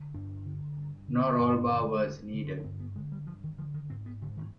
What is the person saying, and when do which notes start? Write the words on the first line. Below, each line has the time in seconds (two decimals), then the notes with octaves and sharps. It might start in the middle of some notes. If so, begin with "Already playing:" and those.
No rollbar was needed.
Already playing: D3
0.14 G2 D4
0.45 D3
0.77 G2
1.08 D3
1.39 G2 C4
1.55 D4
1.70 D3 C4
1.86 G#3
2.02 G2
2.33 D3
2.60 D4
2.64 G2 C4
2.80 B3
2.96 D3 G#3
3.12 G3
3.27 G2 F3
3.44 D#3
3.58 D3 F3
3.74 D#3
3.90 G#2 C4
4.06 B3
4.21 G#2 D3
4.37 D#3